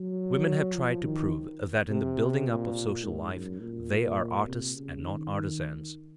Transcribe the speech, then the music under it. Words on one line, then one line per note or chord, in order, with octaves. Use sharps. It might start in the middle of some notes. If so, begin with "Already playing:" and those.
Women have tried to prove that in the building up of social life they are artists and not artisans.
Already playing: F#3
F3
D#3
C3
A#2
G#2
F#2
A#2
C3
C#3
D#3
D#3